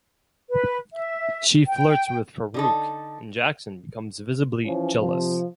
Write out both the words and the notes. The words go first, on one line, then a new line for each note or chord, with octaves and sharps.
She flirts with Farooq and Jackson becomes visibly jealous.
B4
E5
G5
D3 D#4 A4
E3 F3 C#4
C3 F3